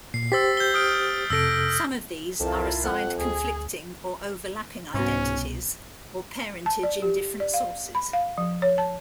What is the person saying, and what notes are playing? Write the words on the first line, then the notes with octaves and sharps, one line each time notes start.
Some of these are assigned conflicting or overlapping identities or parentage in different sources.
A#2 C7
G4 C5 E6 A6 B6
G6 G7
D#6 F6 D7
F2 C3 A4 E6 A#6 D7
C2 F2 E4 F4 A#4 A5
F2 F#5
D2 G#4 G#5
C2 G#2 B2 C#4
A5
D5
G4
D5
F5
B5
F5
F3
C#5
A5